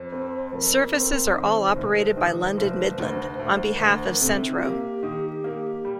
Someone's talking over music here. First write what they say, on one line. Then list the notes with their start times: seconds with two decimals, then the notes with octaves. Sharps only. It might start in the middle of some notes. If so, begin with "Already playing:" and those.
Services are all operated by London Midland on behalf of Centro.
Already playing: F2 C5
0.12 C4
0.53 F2 A#4
0.94 C4
1.30 D5
1.34 D#3 C5
1.76 F1
2.17 D#3
2.58 F1
2.98 D2
3.39 D2
3.72 A#4
3.80 D2 C5
4.10 A#4
4.21 C3 A4
4.39 D4
4.47 D#4
4.55 F4
4.62 A#3 G4
5.03 D#3
5.44 A#3
5.85 G3